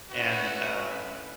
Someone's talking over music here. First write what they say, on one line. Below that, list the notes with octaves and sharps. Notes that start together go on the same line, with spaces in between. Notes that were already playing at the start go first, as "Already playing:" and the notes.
and uh,
D3 A3 C#4 E4 F#4 B4